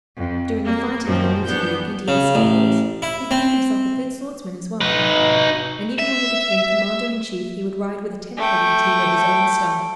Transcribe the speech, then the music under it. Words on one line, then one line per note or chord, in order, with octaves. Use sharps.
During the fighting in the mutiny of Indian sepoys, he proved himself a good swordsman as well; and even when he became Commander-in-chief, he would ride with a tent-pegging team of his own staff.
F2
A#3
F#2 A#2 D#3 F3 C4
A#2 E3 B3 D4 G6
C#3
A1
E4
C4
D#4 B4
E5
A3 G5